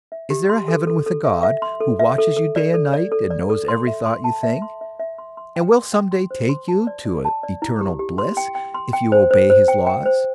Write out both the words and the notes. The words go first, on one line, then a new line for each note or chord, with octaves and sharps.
Is there a heaven with a God, who watches you day and night, and knows every thought you think, and will some day take you to eternal bliss if you obey his laws?
E5
G4
C6
A4
A4
A4
E5
E5
C6
A4
E5
A4
A4
D5
A4
D5
A4
D5
A4
C6
E5
C6
A5
E5
C6
E5
E5
C6
C6
G5
C6
G5
C6
C5
C6
A5
D5
D5
A5
D5
E4
G4
G4
C6
G5
G5
C6
G5
C5
C5
C5
G5
G5
C5